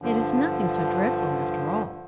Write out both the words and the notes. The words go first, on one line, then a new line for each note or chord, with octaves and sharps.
'It is nothing so dreadful after all!
G2 D3 F3